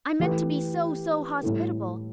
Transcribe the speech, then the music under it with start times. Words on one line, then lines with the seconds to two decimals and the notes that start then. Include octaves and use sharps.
I meant to be so--so--hospitable.
0.20 E3 A3 G4 B4
1.43 A2 G3 E4 A4